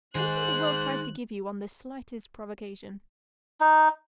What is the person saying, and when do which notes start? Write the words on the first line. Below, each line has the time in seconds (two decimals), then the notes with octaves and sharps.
Something the world tries to give you on the slightest provocation.
0.15 D#3 D#4 G#4 C5 F#6
3.60 D#4